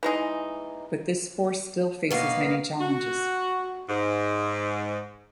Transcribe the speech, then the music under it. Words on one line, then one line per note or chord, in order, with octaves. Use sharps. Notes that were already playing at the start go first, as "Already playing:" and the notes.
But this force still faces many challenges.
E3 G#3 D#4
F#2 B2 A#3 B3 F5
F#4
G#2